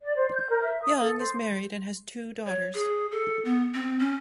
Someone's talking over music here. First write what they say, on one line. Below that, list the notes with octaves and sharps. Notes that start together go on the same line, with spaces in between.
Young is married and has two daughters.
D5
C5
G6
A#4
E5
D#6
A4
C5
C#5
G#4
A4
B3
C4
C#4